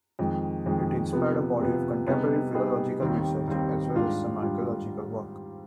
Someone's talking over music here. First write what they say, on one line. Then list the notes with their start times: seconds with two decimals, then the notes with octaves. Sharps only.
It inspired a body of contemporary philological research, as well as some archaeological work.
0.19 F2 D#3 G#3
0.66 F2 D#3 G#3
1.13 C3 F3 B3
1.59 C3 F3 B3
2.06 C3 G3 B3 D#4 G#4
2.54 C3 G3 B3 D#4 G#4
3.00 D#2 D#3 G3 C4
3.47 D#2 D#3 G3 C4
3.95 G#2 G3 D4 F4
4.41 G3 D4 F4